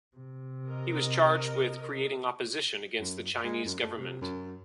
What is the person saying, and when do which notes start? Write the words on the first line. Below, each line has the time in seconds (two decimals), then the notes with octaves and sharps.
He was charged with creating opposition against the Chinese government.
0.17 C3
0.67 A#4 D#5
3.00 F#2
3.44 G#3
3.65 F#2
3.82 A3
3.98 C3
4.21 F#2